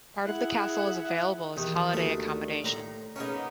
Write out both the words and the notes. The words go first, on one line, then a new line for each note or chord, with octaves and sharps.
Part of the castle is available as holiday accommodation.
E4 G#4 E5 F#5 F#6
E2 D#3 G3
D2 A3
A2 A#5
A#3 B3 C#4 D#4 G#4